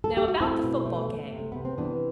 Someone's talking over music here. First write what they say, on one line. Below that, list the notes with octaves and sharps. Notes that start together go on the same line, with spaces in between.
Now about the football game.
A4
G4
F#4
A3 C4 E4
B2
A3
A3
C3
A3
C3 B3
C4
E3 B3 D4